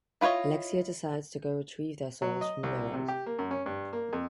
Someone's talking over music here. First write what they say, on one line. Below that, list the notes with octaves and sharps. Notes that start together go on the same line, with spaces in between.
Alexia decides to go retrieve their souls from the merrows.
E4 F4 B4 C#5 D#5
F#3
D#5
C2
C3
G4
A#3
F#2
C#4
G2
A#3
F2